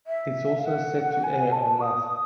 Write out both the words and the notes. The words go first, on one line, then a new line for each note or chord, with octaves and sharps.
It's also set to air on Laff.
E5
F5
F#5
G#5
A5
D#6